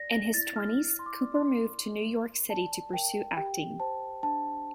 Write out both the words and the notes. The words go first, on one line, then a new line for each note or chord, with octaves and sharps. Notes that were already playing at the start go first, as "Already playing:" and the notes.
In his twenties, Cooper moved to New York City to pursue acting.
Already playing: D5 A#6
A#6
E4 A6
F6
E4
C6
D6
D5
C6
A#4
A#4
D5 A5
A#4 G5
G4 G5
C5 A5
D4 A5